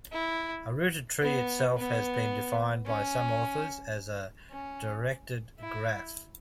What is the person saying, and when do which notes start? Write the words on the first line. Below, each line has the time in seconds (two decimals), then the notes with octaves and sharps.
A rooted tree itself has been defined by some authors as a directed graph.
0.12 E4
1.22 B3
1.77 B3
2.86 C#4
4.51 C#4
5.60 E4